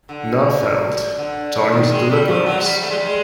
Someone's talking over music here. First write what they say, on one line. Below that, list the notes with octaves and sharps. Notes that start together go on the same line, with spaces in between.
Neufeld joined the Liberals.
D3
D3
D#3
G#3
G3
F3
F#3
G#3
G3
A3
G#3
G3
G#3